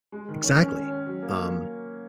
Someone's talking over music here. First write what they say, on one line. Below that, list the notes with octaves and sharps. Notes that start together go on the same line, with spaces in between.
Exactly. Um,
G#3
D#3
C#4
C#4
C#4
C#4
F#3
A#3